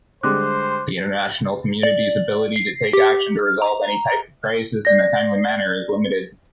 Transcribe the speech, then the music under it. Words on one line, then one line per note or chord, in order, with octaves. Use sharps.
The international community's ability to take action to resolve any type of crisis in a timely manner is limited.
D3 G3 G#3 C5 D6 F#6
D5
C7
G4
F6
A#5
D5 A#6